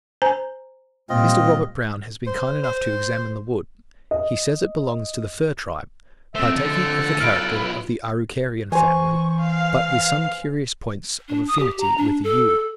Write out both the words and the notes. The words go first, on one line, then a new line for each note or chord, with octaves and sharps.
Mr. Robert Brown has been kind enough to examine the wood: he says it belongs to the fir tribe, partaking of the character of the Araucarian family, but with some curious points of affinity with the yew.
C5 G#5 A#5
A#2 G3 C4 F4 D#5
C5
C5
D#5
F3 A3 C4 C5 E5
D3 A4
B1 E4 F4 B4 F6 D7
E3 C5 G#5 C#6
F5
D4
D#6
G4
A#5
D4
A4